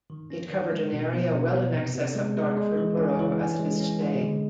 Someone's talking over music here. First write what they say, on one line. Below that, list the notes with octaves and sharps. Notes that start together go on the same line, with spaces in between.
It covered an area well in excess of Dartford Borough as it is today.
D#3
C#4
D#3
G#3
B2
B3
B2
B3
C3
C3
G#3
G#3
G#3
E3
C#4
E3
C#4
G#3
C#4
G#3
D3